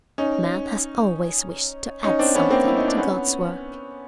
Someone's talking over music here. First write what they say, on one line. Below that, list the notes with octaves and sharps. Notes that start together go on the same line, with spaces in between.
Man has always wished to add something to God's work.
C#4 D#4
C#4 D#4
C4 D4
B3 C#4
A#3 C4
E4
D#4
D4
B3 C#4